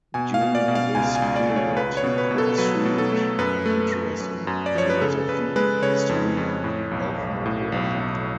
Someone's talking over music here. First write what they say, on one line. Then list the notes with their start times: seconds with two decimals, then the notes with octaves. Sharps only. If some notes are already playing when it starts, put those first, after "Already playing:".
During this period, he pursued an interest in philosophy, history and ethnography.
0.14 B2 G#5
0.34 F5
0.41 B2
0.55 D5
0.68 B2
0.75 F5
0.95 C#2 G#5
1.15 G#5
1.22 C#2
1.36 D5
1.50 A3
1.56 C#5
1.76 C#2 B4
1.97 C#5
2.04 B2
2.18 B4
2.31 B2
2.38 A4
2.58 F#3 B4
2.85 B2
2.98 A4
3.12 A3
3.39 F#2 B4
3.66 A3
3.93 A3
4.20 F#2
4.47 F#2
4.66 D5
4.75 F3 C#5
4.90 B4
5.01 C#3 A4
5.29 C#3 B4
5.56 G#3 B4
5.82 C#3 C#5
6.09 F2
6.37 F2
6.64 A2
6.91 B1
7.18 B1
7.46 A2
7.72 B1
8.00 B1